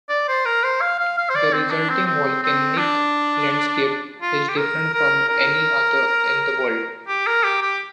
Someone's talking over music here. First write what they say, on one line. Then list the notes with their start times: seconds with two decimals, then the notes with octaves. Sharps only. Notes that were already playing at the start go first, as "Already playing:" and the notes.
The resulting volcanic landscape is different from any other in the world.
0.09 D5
0.28 C5
0.45 A#4
0.64 C5
0.81 F5
1.00 F5
1.18 F5
1.30 C5
1.35 D5
1.53 C4
1.70 D4
1.89 C4
2.06 C4
2.43 C4
2.78 D4
4.22 F4
4.49 G4
4.57 A#4
4.94 A#4
5.29 A#4
7.08 G4
7.27 A#4
7.44 G4
7.62 G4